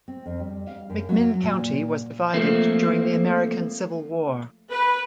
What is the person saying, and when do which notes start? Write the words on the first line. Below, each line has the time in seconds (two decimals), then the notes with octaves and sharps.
McMinn County was divided during the American Civil War.
0.08 C4
0.26 F2
0.40 G3
0.67 F5
0.90 F#2
1.09 F#3
1.43 A#2
2.33 F3 A3 A#3 C4
4.72 B4